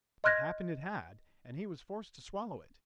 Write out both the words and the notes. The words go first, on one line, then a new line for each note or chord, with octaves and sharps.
But happened it had, and he was forced to swallow it.
D#5 C6 F6 F#6 G#6 A#6